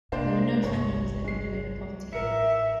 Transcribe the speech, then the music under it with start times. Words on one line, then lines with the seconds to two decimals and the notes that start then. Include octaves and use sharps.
There were no families living below the poverty line.
0.12 C3 A#3 D4 C5
0.64 G1 C2 C#5
1.24 G#3 C7
2.13 A1 A#4 E5 C#7